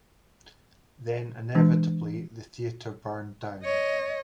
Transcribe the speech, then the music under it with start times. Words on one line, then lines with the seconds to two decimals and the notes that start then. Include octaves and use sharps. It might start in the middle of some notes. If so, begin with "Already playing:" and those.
Then, inevitably, the theatre burned down.
1.55 E3 G#3 D4
3.64 C#5 D#5